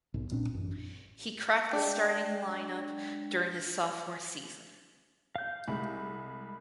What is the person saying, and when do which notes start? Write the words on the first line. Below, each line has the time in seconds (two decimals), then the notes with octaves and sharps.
He cracked the starting lineup during his sophomore season.
0.14 B1 G#2
0.30 D#1 A#2 C4 D4
0.54 A1 F#2
1.71 G#3 D4 G5
5.36 F5 G6
5.68 C2 G#3 E5 B5